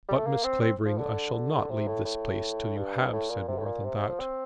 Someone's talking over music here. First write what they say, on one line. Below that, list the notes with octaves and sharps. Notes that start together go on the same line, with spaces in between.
But, Miss Clavering, I shall not leave this place till you have said more than that.
G3
A3
A#3
C4
C4
F3
D3
D3
C3
A2
A2
G2
A2
A#2
C3
A2
A#2
C3
C3
F3
C4